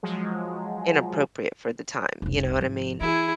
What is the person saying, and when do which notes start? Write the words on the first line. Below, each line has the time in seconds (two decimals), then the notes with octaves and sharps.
inappropriate for the time. You know what I mean?
0.03 F3 F#3 G#3
2.22 F1 C2
2.61 G#1 F3
3.01 E3 E4 G#4